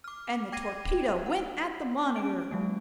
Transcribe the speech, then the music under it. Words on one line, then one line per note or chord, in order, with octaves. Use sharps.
"And the torpedo went at the monitor!"
D6 F6
G5 D6 G#6 A#6 C7 D#7
F#5
C#4 D7
F#3 G#3 A#3